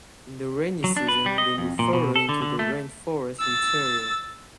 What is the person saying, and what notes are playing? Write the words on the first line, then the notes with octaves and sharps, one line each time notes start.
In the rainy season they move further into the rainforest interior.
F#3
D4
B4
G3
D#5
F2
A#2
B2
A4
D3
D3
A3
E6 A6